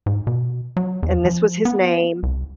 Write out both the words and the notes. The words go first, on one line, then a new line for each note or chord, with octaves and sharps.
and this was his name,
G#2
B2
F#3
E2
F3
B3
C2